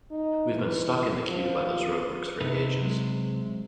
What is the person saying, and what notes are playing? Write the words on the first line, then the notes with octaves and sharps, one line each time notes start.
We've been stuck in the queue by those roadworks for ages.
D#4
E3
F3
C3 B3 D#4 B4
F#3 G#3